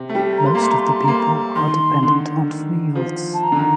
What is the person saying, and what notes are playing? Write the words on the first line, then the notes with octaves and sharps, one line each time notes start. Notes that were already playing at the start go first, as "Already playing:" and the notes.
Most of the people are dependent on fields.
Already playing: C3
A3
G3 G5
A#5
C6
A#3 A#5
A3 C6
A#5
C6
A#5
C6
A#5
A#3 C6
A#5
D#3 C6
D3
D#3
F3
A5
A#5
D3
D#3